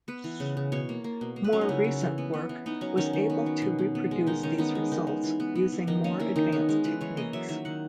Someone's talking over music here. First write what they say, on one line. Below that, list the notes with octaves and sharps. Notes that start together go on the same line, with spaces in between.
More recent work was able to reproduce these results using more advanced techniques.
B3 B4
E3
C#3
C#3
B2 C#5
A#3
A#3
B2
A#3
B4
F#3 C#4
D#4
C#3 E4
C#3
E3
B3
B3
E3
B3 D#4
F#3 C#4
D#3 C#4
D#3
B3
F#3
B2
B2
B3
G#3
D#3 D#4
D#3 C#4
B3 D#4
G#3
D#3
D#3
E3
B3
B3
E3
D#3 D#4
A#3 C#4
A#3 E4
D#3 D#4
B3 C#4
G#3 C#4
E3 B4
E3 C#5
A#3 D#5
F#3 E5
D#3 E5
D#3 F#5